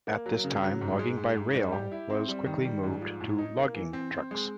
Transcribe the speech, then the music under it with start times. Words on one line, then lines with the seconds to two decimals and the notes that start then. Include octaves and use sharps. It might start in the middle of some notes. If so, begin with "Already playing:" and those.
At this time logging by rail was quickly moved to Logging trucks.
0.07 A#3
0.26 F#3
0.44 C#3
0.62 F#3
0.81 G#2
0.99 G#3
1.17 G#2
1.36 G#2
1.54 G3
1.72 G4
1.92 E4
2.10 C4
2.28 G3
2.46 D#3
2.65 G3
2.83 G#2
3.01 F3
3.21 A2
3.38 D#4
3.57 A#3
3.76 E3
3.93 C4
4.11 C4
4.31 G#3